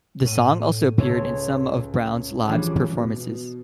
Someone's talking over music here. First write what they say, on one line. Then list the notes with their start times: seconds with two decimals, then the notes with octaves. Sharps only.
The song also appeared in some of Brown's live performances.
0.25 A2 D#7 E7
0.98 C#2 A3 E4 C#5 C6 G#6
2.48 E3 F3 G3 G#3 C#4 D4
2.97 B2